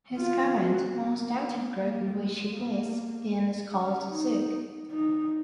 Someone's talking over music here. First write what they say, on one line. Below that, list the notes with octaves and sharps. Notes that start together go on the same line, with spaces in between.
His current, most active group in which he plays in is called Zook.
F4
F#4
A#3
A#3
G#3
A#3
C#4
D#4
D#4